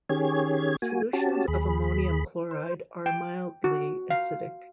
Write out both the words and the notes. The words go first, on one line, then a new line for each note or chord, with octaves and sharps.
Solutions of ammonium chloride are mildly acidic.
D#3 C#4 G4 G#4 C#5 G#6
A#3 F#4 G#5
C#4 F#4 G4 A5
D#2 G#4 B5
C5
G5
F#4
F5